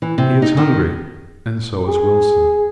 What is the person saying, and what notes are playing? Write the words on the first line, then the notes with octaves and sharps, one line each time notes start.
He is hungry and so is Wilson.
E3
C3
D#4
D#3
G#4